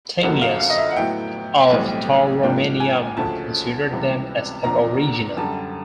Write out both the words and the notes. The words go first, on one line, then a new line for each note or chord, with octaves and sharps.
Timaeus of Tauromenium considered them as aboriginal.
F#1 F2 D3 F#3 A#3 F#5
F5
F5
D#5
E5
F#5
A2 F#3 B3 E4 G5
B1 A2 E3 G3 C4
G#2 F3 A#3 D4 G5
G#5
D2 C#3 F3 A3 C#4 A5
C#2 C3 E3 G3 B3
E2 C3 F3 A#3 D4 A#5
F#2 D3 G3 A5